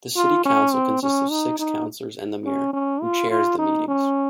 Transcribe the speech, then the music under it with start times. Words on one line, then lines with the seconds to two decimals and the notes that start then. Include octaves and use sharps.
The city council consists of six councillors and the mayor, who chairs the meetings.
0.16 F4
0.45 C#4
0.73 C4
1.03 C#4
1.31 D#4
1.59 D#4
2.45 C#4
2.73 C#4
3.02 F4
3.31 F4
3.59 D#4
3.88 C#4